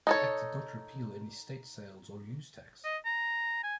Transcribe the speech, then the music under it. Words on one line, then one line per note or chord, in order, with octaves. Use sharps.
The Act did not repeal any state sales or use tax.
D#4 A4 C#5
D#5
A#5
G#5